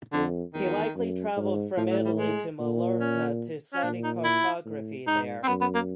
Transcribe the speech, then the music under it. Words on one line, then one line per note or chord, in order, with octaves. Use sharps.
He likely traveled from Italy to Mallorca to study cartography there.
F2 D3
E2 D#3
F#2
G#2
A2 F3
F#3
G3
G#3
A#2
C#4
C#4
A#2 D4
D#4
E4
A2
G#2 D#4
C4
F#2 B3
B3
A#3